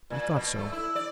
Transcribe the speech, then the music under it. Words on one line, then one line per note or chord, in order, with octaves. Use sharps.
I thought so.
A#2
B2
A3
E4
D5